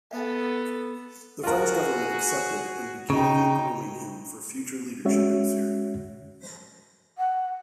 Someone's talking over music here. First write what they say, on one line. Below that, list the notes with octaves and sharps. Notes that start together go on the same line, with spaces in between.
The French government accepted and began grooming him for future leadership in Syria.
B3 A4
F4 F#4 G#4 A#4
C#3 D#4 G5
G#3 C#4 F#4 C#5 E5
F#5